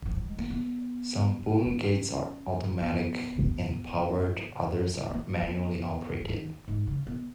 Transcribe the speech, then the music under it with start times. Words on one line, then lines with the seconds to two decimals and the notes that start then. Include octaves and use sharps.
Some boom gates are automatic and powered, others are manually operated.
0.06 F3
0.16 F#3
0.28 G#3
0.38 A#3
0.50 B3
1.66 C#4
2.82 B3
5.09 B3
5.13 A#3
5.42 B3
6.21 F3
6.29 D#3
6.68 G#2
6.87 C#3
7.07 B2